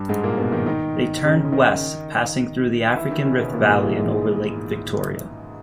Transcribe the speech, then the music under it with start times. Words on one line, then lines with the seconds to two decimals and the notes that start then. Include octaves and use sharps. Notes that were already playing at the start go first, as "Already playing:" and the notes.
They turned west, passing through the African Rift Valley and over Lake Victoria.
Already playing: G2 G3
0.09 G#2 G#3
0.23 A#2 A#3
0.38 B2 B3
0.52 D#3 D#4
0.66 D#3 D#4
1.24 C#3 C#4
1.52 D#3 D#4
2.96 E3 E4
3.11 D#3 D#4
3.25 C#3 C#4
3.40 B2 B3
3.54 A#2 A#3
3.68 G#2 G#3
3.82 E3
3.97 G#3